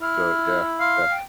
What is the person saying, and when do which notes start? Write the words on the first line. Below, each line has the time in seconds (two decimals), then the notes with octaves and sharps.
so yeah, yeah.
0.02 E4 F6
0.80 F5 C6
1.11 G5